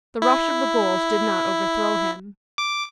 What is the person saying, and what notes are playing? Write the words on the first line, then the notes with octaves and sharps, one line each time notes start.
The rush of the bulls did not overthrow him.
E4
D6